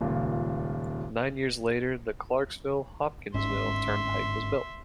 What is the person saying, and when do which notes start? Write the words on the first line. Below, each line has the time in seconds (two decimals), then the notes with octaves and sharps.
Nine years later, the Clarksville-Hopkinsville Turnpike was built.
0.01 D#1 C#2 A#2
3.34 G1 G#2 C#4 E5 C6